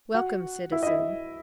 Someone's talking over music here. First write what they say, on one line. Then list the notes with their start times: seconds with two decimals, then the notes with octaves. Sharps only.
"Welcome, citizen."
0.14 F#4 F#5
0.72 E4 E5
0.83 D#5
0.87 E4 E5